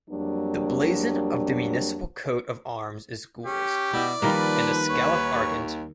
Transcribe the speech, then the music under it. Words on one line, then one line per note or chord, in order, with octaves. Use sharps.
The blazon of the municipal coat of arms is Gules an Escallop Argent.
F2 F#3 G3 A#3 D4
C#4 G4
B2 E4 D5
D#3 F3 G3 A#3 B4
D#2 C#5